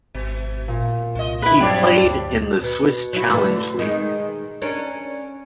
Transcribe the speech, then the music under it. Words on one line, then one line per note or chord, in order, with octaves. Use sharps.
He played in the Swiss Challenge League.
G#1 B2
A#2
C2 F4 D#5
E4 B4
G2 F#3 C4 D4 G4 C#5 D5 B5
D2
B2
F#3 E4
D3 E3 A3
D#3 G#3
C#4 D4 A#4